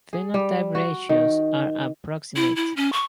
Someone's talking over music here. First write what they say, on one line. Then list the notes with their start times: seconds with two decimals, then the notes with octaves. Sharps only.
Phenotype ratios are approximate.
0.13 G#4
0.34 G3
0.75 F#4
1.09 D#3
2.36 E4
2.56 E4
2.77 C#4
2.93 C#6